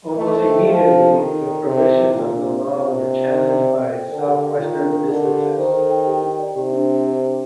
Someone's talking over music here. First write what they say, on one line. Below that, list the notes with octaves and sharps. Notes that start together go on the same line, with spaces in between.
Almost immediately, the provisions of the law were challenged by Southwestern businesses.
A3 D#5
C5
G5
F3 F4
D4
A4
D#3 G4
D#4
D5
C3 A#4
D#4
D5
A#2 G4
D4
C5
C3 A#4
F4
D#5
G4
D4
D5
C5
A4
G5
D3 A#4
G4
F5
D#3 F4
D4
A#4
D3 A#4
G4
F5
D#3 C5
A4
G5
G4
D#4
D5
C3 G4
D4
C5
G4
D4